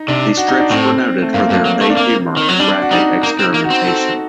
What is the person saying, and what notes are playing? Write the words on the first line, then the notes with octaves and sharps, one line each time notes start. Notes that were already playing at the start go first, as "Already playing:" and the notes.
The strips were noted for their fey humor and graphic experimentation.
Already playing: D#4
C3 D4
F#4
D#4
D4
A2 C4
A3
G2 A#3
G2
F#3
A3
D4
A#3 C4
D#3
F#3
G3 D4
F#4
G3 D#4
A#3 D#4
C4
D#4
A#3
F#4
C4
A4